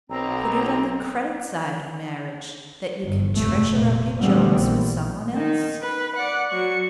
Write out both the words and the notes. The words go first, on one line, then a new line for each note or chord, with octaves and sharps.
Put it on the credit side of marriage that you can treasure up your jokes for some one else.
B1 C4 A#5
G1
F1 A3
A#2
D3 E3 G3 A3 B3 C4
A#1
D#3 D#4
B4
D5 F#5
F#3 C#6